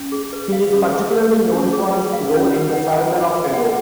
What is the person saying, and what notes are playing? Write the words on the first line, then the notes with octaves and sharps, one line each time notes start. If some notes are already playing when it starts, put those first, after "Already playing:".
He is particularly known for his role in the surrender of Edo.
Already playing: C#4
G#4
B4
F5
C#4
G#4
B4
F5
C#4
G#4
B4
F5
C#4
B4
F#5
B5
F4
B4
F#5